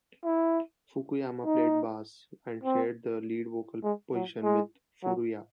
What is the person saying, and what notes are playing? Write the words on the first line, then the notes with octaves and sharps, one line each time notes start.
Fukuyama played bass and shared the lead vocal position with Furuya.
E4
D#4
C4
G#3
F#3
G#3
F#3